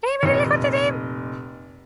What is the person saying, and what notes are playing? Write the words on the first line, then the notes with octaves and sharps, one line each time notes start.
He immediately quit the team.
F1 A#2 D#5